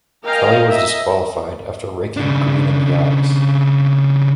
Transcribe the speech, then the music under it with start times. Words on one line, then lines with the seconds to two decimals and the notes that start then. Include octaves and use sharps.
Kelly was disqualified after raking Green in the eyes.
0.25 A#4 D#5 F5 G5 G#5 A#5
0.70 D#5 E5
2.17 C#3 D4